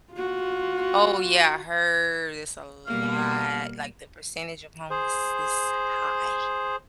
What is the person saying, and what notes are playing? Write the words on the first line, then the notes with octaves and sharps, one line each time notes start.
Oh, yeah. I heard it's a lot. Like, the percentage of homeless is high.
F4 F#4
B2 G3 A#3 F5
G#4 C5